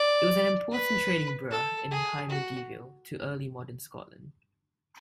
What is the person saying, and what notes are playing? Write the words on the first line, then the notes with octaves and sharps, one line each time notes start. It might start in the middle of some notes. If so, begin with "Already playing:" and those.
It was an important trading burgh in High Medieval to early modern Scotland.
Already playing: D5
B4
A4
G#4
F#4